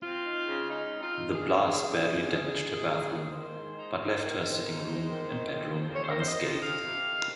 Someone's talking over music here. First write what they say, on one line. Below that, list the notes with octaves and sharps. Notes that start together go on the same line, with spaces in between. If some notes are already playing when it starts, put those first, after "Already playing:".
The blast badly damaged her bathroom, but left her sitting room and bedroom unscathed.
C4 F4
D#4
C#3
G#3 D#4
C4
F4
D#4
C#3 G#4
G#3
C4
D#4
C#3
G#3
G#3
D#4
G#2
D#3 C5
G#3
D#4
G#2
D#3
G#3
D#4
G#2
D#3
D#3
F2
F2
C3 C#5
C5
A#4
D#3 C5
D#5
F2
F2 F5
C3
D#3